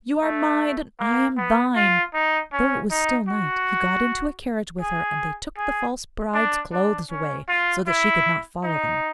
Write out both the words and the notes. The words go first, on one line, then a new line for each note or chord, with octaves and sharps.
You are mine, and I am thine.' Though it was still night, he got into a carriage with her, and they took the false bride's clothes away, so that she could not follow them.
A3
A#3
B3
F4
D#4
C#4
D#4
F#4
G#4
G#4
D4
D4
C#4
F4
E4
D#4